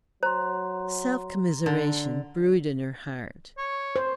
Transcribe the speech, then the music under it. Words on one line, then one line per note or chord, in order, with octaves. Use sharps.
Self-commiseration brewed in her heart.
F#3 C5 A#5 C6
D3
C#5
C5